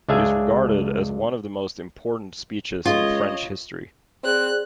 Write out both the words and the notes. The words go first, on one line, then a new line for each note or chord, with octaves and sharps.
It is regarded as one of the most important speeches in French history.
C#2 D4 G#4 E5 F5 G#5
C#2 F4 C#5 D#5
C4 G#4 D5 F#6